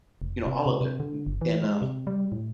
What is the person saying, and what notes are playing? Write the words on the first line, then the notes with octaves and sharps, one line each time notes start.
you know, all of it m and, uh,
F1
C3
C3
C3
D3
G1
E3
G#3
C3
G3
A2